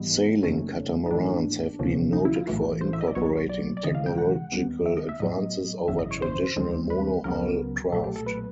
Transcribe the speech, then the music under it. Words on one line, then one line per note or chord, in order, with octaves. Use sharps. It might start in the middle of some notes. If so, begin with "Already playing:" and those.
Sailing catamarans have been noted for incorporating technological advances over traditional monohull craft.
Already playing: G#2 E3 G3 B3 D#4
F#2 C#3 F#3 A3 C#4
D#4
G#2 E3 A3 D4
D2 C3 F3 A#3 C#4
D#4
E4
F4
B1 A2 E3 A3 F#4
C5
E5
D#5
D5
B1 B2 F#3 B3 C#5
D5
D5
D2 C3 E3 G#3 D#5
F5
G5
F#5
D#2 D#3 G3 B3
E5
D#5
E5
A2 F#3 B3 D#5
G#1 F#2 C#3 E3 E5
D#5
C#5
C5
D#2 D#3 G#3 C4
B4
C#2 C#3 F#3 B3 A#4
B1 A#2 F#3 A3 A4
G4
A4
B4